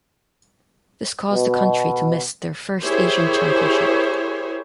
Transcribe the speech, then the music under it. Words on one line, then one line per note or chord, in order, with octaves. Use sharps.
This caused the country to miss their first Asian championship.
B2
E4 G4 G#4 A#4 C5 C#5